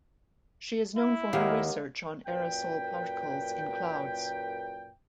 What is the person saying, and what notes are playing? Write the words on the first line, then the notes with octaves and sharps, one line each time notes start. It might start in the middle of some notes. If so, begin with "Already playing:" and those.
She is known for her research on aerosol particles in clouds.
E4
D#2 D#3 G#3 G4 A#4 D#5 F5 F#5
F#2 A#2 B4 G5